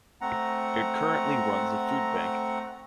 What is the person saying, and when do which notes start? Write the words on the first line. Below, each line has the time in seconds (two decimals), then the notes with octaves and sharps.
It currently runs a Food Bank.
0.21 A3 C4 F#5 A#5